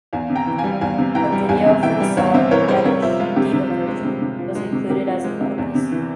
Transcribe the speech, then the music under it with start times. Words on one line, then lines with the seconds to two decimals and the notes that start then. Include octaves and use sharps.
A video for the song "Reddish: Diva Version" was included as a bonus.
0.13 E2 F5 G#5
0.30 C3
0.35 G5 A#5
0.47 E3
0.58 F5 G#5
0.64 G3
0.81 E2 F5 G#5
0.98 C3
1.15 E3 G5 A#5
1.32 G3
1.49 E2 F5 G#5
1.66 C3
1.83 E3 E5 G5
2.00 G3
2.17 E2 C#5 F5
2.34 C3 C5 E5
2.51 E3 A#4 C#5
2.68 G3 G#4 C5
2.85 C3 A#4 C#5
3.02 F3 C5 E5
3.19 G#3 F4
3.36 C3 G4
3.53 C3
3.70 F3
3.87 G#3
4.05 C3
4.22 C3
4.39 F3
4.55 G#3
4.72 C3
4.89 C3 G4 A#4
5.07 F3
5.24 G#3
5.41 C3
5.58 E2
5.75 C3
5.92 E3